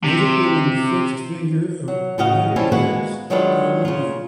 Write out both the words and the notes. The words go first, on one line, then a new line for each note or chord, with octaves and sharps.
Movable and fixed finger of pedipalps are long.
C3
F#3
A2 C#3 F#4 D#5 F5
F3 G3 C#4 E4
G#3 A#3 B3 F#4
D#3 F#3 G#3 D4 F4 B4
C#3 F4